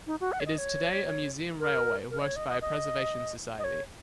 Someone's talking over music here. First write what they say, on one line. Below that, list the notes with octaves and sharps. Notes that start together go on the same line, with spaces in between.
It is today a museum railway, worked by a preservation society.
D#4
F#4
F#5
C#5
D#5
C#5
A#4
A#4
D#5
C#5
D#5
D#5
D#5
D#5
C#5